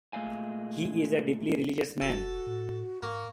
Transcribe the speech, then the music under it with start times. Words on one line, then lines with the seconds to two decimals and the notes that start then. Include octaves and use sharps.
He is a deeply religious man.
0.13 A#2 G#3 A3 D5 F5 G#5
2.01 F1 F#4 A4
2.47 A2
3.03 G#2 A#3 C#6